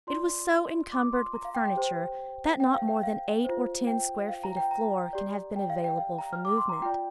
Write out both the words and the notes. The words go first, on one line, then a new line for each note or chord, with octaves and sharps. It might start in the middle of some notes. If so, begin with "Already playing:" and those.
It was so encumbered with furniture that not more than eight or ten square feet of floor can have been available for movement.
F4 D5 C6
D6
C6
A#5
F5
G5
G5
G4 C5
G5
F5
G5
F5
F4 C5
G5
F5
A#5
G5
A#5
G4 D5
G5
F5
G5
F5
A#5
F6
D6
C6
A#5
F4 D5 G5